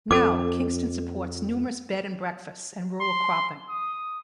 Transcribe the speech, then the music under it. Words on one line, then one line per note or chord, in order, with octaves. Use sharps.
Now, Kingston supports numerous bed and breakfasts and rural cropping.
F2 A4 D6
C6
D#6